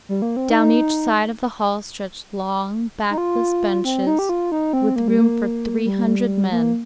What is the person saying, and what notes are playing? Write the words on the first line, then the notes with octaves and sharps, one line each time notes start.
Down each side of the hall stretched long, backless benches, with room for three hundred men.
G3
A#3
C4
D#4
D#4
F4
C4
D#4
G4
F4
D#4
C4
A#3
G3
A#3
G3
A#3